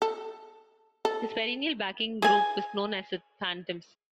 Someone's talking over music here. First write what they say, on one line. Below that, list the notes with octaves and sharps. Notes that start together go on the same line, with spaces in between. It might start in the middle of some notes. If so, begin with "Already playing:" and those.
His perennial backing group was known as The Phantoms.
A4
A4
G#4 G#5